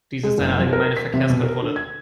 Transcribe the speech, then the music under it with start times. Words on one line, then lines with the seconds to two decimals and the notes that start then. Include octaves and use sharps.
Dies ist eine allgemeine Verkehrskontrolle.
0.23 G#3
0.38 F#1
0.59 F3
0.73 A#4
0.97 B6
1.14 C3
1.30 B2
1.43 A#4
1.62 D3
1.76 G#6